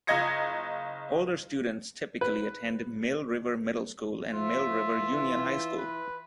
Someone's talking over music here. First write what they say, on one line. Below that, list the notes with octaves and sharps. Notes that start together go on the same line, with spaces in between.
Older students typically attend Mill River Middle School and Mill River Union High School.
F#1 F4 D#5 G#6 A#6 C#7
B4
F3 F4 E5
E3
B4